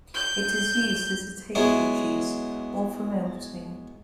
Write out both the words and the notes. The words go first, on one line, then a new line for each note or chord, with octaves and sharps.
It is used as a table cheese or for melting.
G6
F#3 G#3 B3 E4 G#4